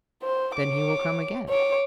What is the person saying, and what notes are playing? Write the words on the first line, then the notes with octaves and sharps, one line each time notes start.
"Then he will come again."
C5
C#5 D6
C#5 D6